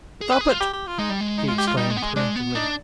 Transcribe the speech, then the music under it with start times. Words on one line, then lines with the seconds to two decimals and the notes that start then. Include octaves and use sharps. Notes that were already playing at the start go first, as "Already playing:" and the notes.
"Stop it!" he exclaimed peremptorily.
0.21 G#4
0.31 B4
0.41 G#4
0.50 F4
0.60 G4
0.73 G4
0.87 F4
0.99 G#3 D#4
1.10 G3
1.21 G#3
1.38 D#4
1.48 F4
1.58 G4
1.67 F4
1.77 G3 D#4
1.90 G#3
1.97 B3
2.02 G#3
2.16 G#3 D4
2.35 B3
2.55 D4 D#4